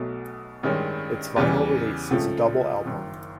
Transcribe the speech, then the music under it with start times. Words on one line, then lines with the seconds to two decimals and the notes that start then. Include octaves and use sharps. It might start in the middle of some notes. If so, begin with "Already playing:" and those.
Its vinyl release is a double album.
Already playing: B1 B2 F#3 A3
0.63 A1 G2 D#3 G#3 C#4
1.36 E2 C#3 E3 G3
2.11 C#2 C#3 F3 A3
2.85 F#1 F#2 D#3